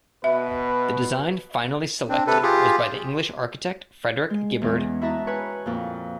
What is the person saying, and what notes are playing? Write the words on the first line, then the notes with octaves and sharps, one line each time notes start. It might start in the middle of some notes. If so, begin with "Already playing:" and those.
The design finally selected was by the English architect Frederick Gibberd.
B2 B4 E5
C4 D4
C3 A4 B4
F4 G4 G#4
G#3
E2 G#3 C#4
E4 F#4 E5 A5 A#5 D#6
B4 C#5 G#5
F2 A#2